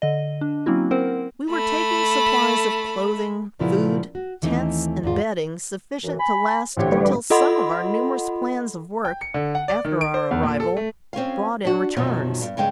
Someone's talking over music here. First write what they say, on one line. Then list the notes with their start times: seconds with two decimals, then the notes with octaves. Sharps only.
We were taking supplies of clothing, food, tents and bedding sufficient to last until some of our numerous plans of work after our arrival brought in returns.
0.02 D3 D#5
0.41 D4
0.66 F#3 A#3 C4 C#4 E4 F#4
0.91 C4 A#4 C5 F#5
1.51 A3 B5
3.59 A#2 C#3 F3 F#3 B3 E4
4.15 F#4
4.42 D#2 E3 A3 B3 C4 D#4
5.03 E2 G#2 F4
6.04 F#2 E3
6.19 G#5 B5
6.77 A1 D2 D3 G4 C5 C#5
6.92 G3 B4 D5
7.30 F4 A4 D#5 F#5 B5 C6
9.05 G5
9.22 C#7
9.34 D3
9.55 F#5
9.68 D5
9.85 D#3
10.01 D7
10.14 C5
10.31 E2
10.43 A#2
10.60 A4
10.77 A3
11.13 C4 C#4 F4 F5
11.65 D4 F#4
11.97 F#2 B2 D#3 F3
12.42 G2
12.57 G2 C#3 G#3 G5